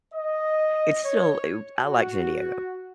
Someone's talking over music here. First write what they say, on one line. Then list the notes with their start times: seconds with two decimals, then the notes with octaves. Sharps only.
it's still u I like San Diego.
0.14 D#5
1.05 C#5
1.81 F#4